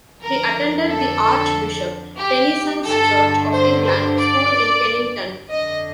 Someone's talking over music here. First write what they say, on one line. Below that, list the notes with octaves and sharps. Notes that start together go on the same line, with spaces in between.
He attended the Archbishop Tenison's Church of England School in Kennington.
F2 D3 A#4
A4
G4
G2 D3 A4
C5
C5
D5
F2 D3 D#5